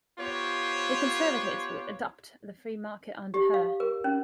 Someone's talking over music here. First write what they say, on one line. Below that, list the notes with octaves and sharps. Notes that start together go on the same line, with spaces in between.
The Conservatives would adopt the free market under her.
B3 F4 G4 C5 C#5
G4
F5
A#4
C#4